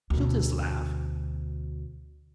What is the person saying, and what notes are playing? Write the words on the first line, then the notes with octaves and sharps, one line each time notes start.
She'll just laugh.
D2 B2